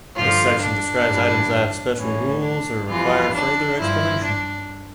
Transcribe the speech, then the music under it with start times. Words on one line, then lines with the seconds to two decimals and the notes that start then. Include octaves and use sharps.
This section describes items that have special rules or require further explanation.
0.16 G2 D3 F3 F4
0.62 D4
1.07 G2 E3 G3
1.98 A2 E3 G3 C#4
2.43 D4
2.88 F2 E3 G3 F4
3.34 D4
3.79 G2 F3 E4
4.24 D4